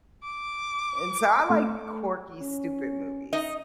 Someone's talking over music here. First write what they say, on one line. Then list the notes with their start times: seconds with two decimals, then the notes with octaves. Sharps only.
and so I like quirky stupid movies.
0.23 D6
1.49 A3
2.41 C#4
3.33 D#4 D#5